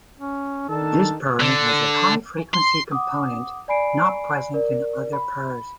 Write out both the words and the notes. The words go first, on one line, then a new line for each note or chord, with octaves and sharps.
This purring has a high-frequency component not present in other purrs.
C#4
D#3 D4 A4 A5
D3
C6
F#5 D6 D#6
D5 G#5 B5 C7 D7
A#4 D5
B5